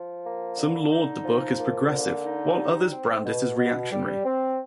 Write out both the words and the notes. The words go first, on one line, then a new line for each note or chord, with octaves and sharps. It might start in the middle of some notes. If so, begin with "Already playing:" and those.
Some laud the book as progressive while others brand it as reactionary.
Already playing: F3
A#3
D3
D#4
F3
A#3
D3
D#4
G3
C4
B2
B2
G3
C4